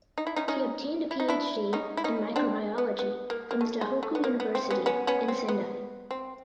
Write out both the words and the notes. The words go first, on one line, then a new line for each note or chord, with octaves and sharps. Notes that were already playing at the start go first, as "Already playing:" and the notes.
He obtained PhD in microbiology from the Tohoku University in Sendai.
D#4
E4
C#4 D#4
C#4 D#4
E4
D#4
D4 E4
C#4 D#4
E4
C#4 D#4
C4 D4
B3
B3
A#3
A#3
A3
G#3
A3
B3
A#3
B3
C4
B3 C#4
B3 C#4
B3 C#4
C4
B3
C4